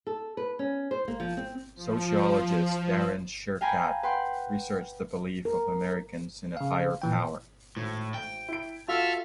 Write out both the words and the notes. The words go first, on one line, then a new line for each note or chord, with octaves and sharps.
Sociologist Darren Sherkat researched the belief of Americans in a higher power.
A4
B4
C#4
C5
A#3
F3
C4
F3
F5 G5 G#5 A#5 B5
B4 F#5 G5 C6
A#4
C#3 F5
A#2 E3 G5
G#1 A2
G5
E4 D7
F4 F#4 A4 E5 F5 F6